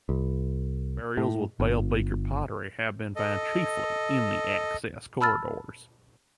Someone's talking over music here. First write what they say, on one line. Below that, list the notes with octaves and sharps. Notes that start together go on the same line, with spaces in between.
Burials with bell beaker pottery have been found chiefly in the access corridors.
C2
A2
G1
A4 D#5
A5 B5 E6 F6 A6